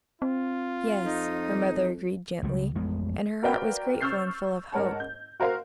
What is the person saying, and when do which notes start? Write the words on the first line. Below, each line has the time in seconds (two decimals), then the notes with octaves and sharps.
Yes, her mother agreed gently, and her heart was grateful and full of hope.
0.22 C4 F4
1.04 F2 D#4
2.42 C#2 C#3 F3 G3
2.76 A1 F2 G#3 B3
3.43 F#4 A#4 B4 D5 F5 G5
4.01 C#6 E6 F6 G6 A6 C7
4.72 G#2 A#4 C#5 F#5 A5
5.00 G6
5.40 F#4 A#4 C5 F5